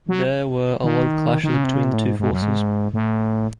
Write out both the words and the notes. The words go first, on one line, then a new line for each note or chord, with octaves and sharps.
There were a lot of clashes between the two forces.
F#3
D#3
D#3
C#3
C3
C#3
C3
A2
G#2
G#2
F#2
G#2
A2